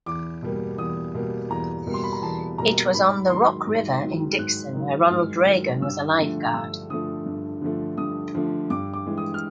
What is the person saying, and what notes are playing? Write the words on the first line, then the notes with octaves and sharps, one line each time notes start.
It was on the Rock River in Dixon where Ronald Reagan was a lifeguard.
E2 D6
B2 G3 A#3
E2 D#6
B2 G3 A#3
E2 A#5
B2 G3 A#3
C6
B5
A#5
E2 A5
B2 G3 A#3 A#5
G#2 B5
D#3 F#3 C6
G#2
D#3 F#3
G#2 F#6
D#3 F#3
G#2 F6
D#3 F#3
G2 E6
D3 F3 A3
G2 E6
D3 F3 A3 D#6
G2
D3 F3 A3
G2 D#6
D3 F3 A3
G2 D6
D6
E3 G#3
D#6
F6